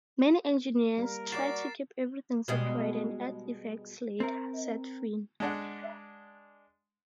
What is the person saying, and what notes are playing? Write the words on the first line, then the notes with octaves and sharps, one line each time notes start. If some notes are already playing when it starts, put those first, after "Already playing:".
"Many engineers try to keep everything separate and add effects later," said Finn.
G3 A#3 A#4
F#4 G4 D5 A6 C7 E7
B2 G3 G#3
C4 A#4
G#3 D4 F#5